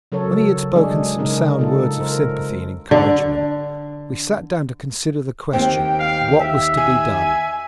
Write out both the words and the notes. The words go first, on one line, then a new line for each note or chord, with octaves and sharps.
When he had spoken some sound words of sympathy and encouragement, we sat down to consider the question, What was to be done?
C#3 F#3 A4 A#4 C#5
G#3 D4 G#4
C#3 D#4 A#4
D#4 F4 A4
A#4 C5
D3
D#2 C4 G5
F5
E5
G#5